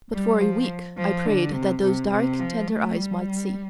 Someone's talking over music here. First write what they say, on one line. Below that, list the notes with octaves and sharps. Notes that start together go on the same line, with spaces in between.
But for a week I prayed that those dark tender eyes might see.
G3
F3
F3
D3
C3
C3
C3
F3
A3
G3